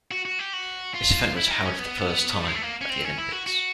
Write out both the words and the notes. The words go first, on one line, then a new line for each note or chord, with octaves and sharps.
This event was held for the first time at the Olympics.
F#4
F#4
G4
F#4
F4
E4
D#4
C#4
B3
G3
G#3
A3
A#3
C#4
C4
C#4
E4
F#4
F#4